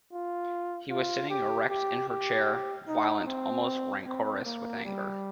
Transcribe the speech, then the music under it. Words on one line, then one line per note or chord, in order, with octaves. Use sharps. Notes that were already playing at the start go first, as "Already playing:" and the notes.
He was sitting erect in her chair, violent, almost rancorous with anger.
F4
F4
G4
G4
G4
D#4
C4
C4
A#3
G3